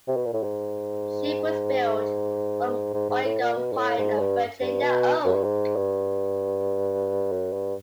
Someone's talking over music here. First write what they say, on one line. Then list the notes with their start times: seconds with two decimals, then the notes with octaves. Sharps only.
The ship was built from Oregon pine and Virginia oak.
0.07 C3
0.16 B2
0.26 A#2
0.33 A2
0.43 G#2
2.93 G#2
3.10 G#2
3.24 A2
3.40 A#2
3.56 B2
3.73 G#2
3.77 A2
3.98 G#2
4.19 G2
4.61 G2
4.82 B2
5.25 F#2
5.35 G2
5.44 G#2
5.76 G2
7.32 F#2
7.53 G2